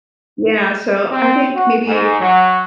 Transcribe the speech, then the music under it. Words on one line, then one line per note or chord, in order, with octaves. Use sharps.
yeah, so I think maybe
C4
F#4
G#2
F#3